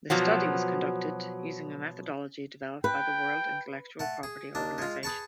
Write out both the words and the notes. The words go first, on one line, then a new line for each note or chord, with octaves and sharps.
The study was conducted using a methodology developed by the World Intellectual Property Organization.
B2 F3 F#3
B4 G5
A3 F#5
G#4
D#2 D4
G#3 F4
G#4 B4 A5 C#6